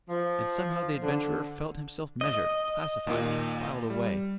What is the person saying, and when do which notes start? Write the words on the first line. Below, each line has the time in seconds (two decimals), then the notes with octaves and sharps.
And somehow the adventurer felt himself measured, classified, filed away.
0.10 F3
1.02 D3
2.21 D#5
3.07 D#2 A#2
3.90 G3